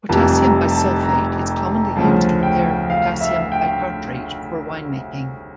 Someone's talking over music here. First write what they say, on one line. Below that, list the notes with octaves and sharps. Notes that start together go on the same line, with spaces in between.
Potassium bisulfate is commonly used to prepare potassium bitartrate for winemaking.
F1 F2 E3 G3 A5
A#5
A5
A#5
D2 C#3 F3 A5
G5
F5
E5
G5